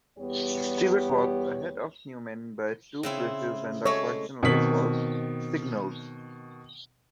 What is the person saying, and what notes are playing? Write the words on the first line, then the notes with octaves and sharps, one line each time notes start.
Stewart was ahead of Newman by two places when the caution light was signaled.
E2 G3 B3 G4 C#5
C#3 C4 E4
G#3 A3 C#5
B2 D#3 C4 B6 F#7